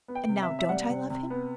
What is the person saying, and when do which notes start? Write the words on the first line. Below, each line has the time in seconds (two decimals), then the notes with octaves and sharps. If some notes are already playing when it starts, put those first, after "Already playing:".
And now don't I love him?
0.08 B3
0.15 G5
0.29 C3
0.42 E5
0.48 C3
0.59 E5
0.69 G3 F#5
0.90 C3
1.10 C3
1.30 B3